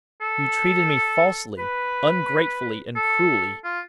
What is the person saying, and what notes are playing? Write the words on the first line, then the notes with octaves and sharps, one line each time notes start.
You treated me falsely, ungratefully, and cruelly.
A4
B4
A4
F4